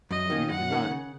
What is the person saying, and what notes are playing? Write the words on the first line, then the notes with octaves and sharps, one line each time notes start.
you you're not
F#2 D#5
D#3 A#3 C#4
F#2 F#5
D#3 A#3 C#4
C#3